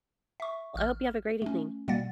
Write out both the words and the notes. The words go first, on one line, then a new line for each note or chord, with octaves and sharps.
I hope you have a great evening.
E5 C#6
A1 F6
A3 C#4
B2 G3 A#3 F#5 A6